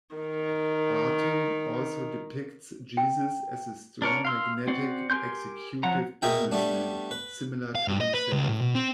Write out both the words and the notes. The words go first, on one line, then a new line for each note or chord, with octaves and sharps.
Barton also depicts Jesus as a "strong magnetic" executive businessman, similar to himself.
D#3 D#4
G5
D4 A#4 C#5
F5 C6 E6
C4 F#4 D5
G4 A#4 G#5 C6 G6
F3 F#3 F#5 A#5
B2 B3 G#4 A#4 E5 G5
G3 A3 B3 D4
B4
F5
G2
D#5
B4
C#2
A2
B2
C4